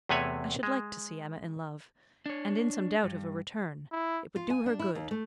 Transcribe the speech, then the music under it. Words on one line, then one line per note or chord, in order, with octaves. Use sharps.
I should like to see Emma in love, and in some doubt of a return; it would do her good.
E2 C3 A3 B4 C#5 G#5
G#3
D4 C#5
G2
E4
F4
G#5
D4
E4
D#2
A3